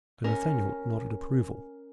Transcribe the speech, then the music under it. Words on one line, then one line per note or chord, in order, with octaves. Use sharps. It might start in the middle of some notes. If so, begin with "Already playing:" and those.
Sir Nathaniel nodded approval.
C#4 A#4